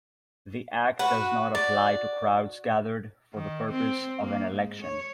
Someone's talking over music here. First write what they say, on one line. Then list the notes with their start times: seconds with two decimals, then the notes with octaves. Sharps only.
The act does not apply to crowds gathered for the purpose of an election.
0.99 F#4 B4
1.55 D5
3.34 D#3
3.71 C4
4.20 A#3
4.51 G#2
4.82 C#5